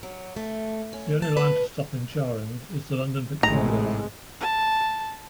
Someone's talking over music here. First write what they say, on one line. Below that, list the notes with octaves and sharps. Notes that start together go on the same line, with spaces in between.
The only line to stop in Charing is the London Victoria line.
F#3
A3
C#4
A5
B4
A1 A2 C3 G#3 A#5
A5